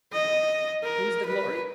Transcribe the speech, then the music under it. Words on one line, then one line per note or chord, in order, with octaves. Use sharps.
Whose the glory?
D#5
A#4
B4